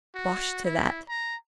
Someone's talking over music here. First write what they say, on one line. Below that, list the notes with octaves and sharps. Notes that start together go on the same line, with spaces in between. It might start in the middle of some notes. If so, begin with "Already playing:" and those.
"Bosh to that!"
F#4
E4
A#5